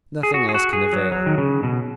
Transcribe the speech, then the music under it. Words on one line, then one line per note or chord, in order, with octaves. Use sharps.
Nothing else can avail.
G#4
F#4
G#4
F#4
G#4
F#3
F#3
D#3
C#3
B2